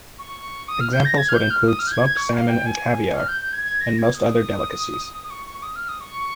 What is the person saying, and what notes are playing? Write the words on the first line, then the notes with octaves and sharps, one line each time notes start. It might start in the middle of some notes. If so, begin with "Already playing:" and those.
Examples would include smoked salmon and caviar, and most other delicacies.
C#6
D#6
F6
G6
A#6
G#6
F6
G6
F6
D#6
F6
G6
G#6
G#6
C#6
F5
G5
G#5
G#5
F6
G6
G6
G#6
G#6
A#6
G#6
D#6
D#6
D#6
C#6
C#6
C#6
D#6
F6
D#6
C#6